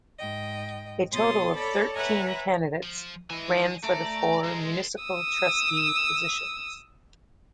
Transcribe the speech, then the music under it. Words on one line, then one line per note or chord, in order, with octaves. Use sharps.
A total of thirteen candidates ran for the four municipal trustee positions.
G#2 D#5 G5
B2 C#5 C6 D#6 A6
A4 C#5 D5 B5
B4 C#5 E5 F#5 G#5 A#5
F3
E3 D#5 G#5
A3 D5 A#5
G#3 A4 C5
D#6 E6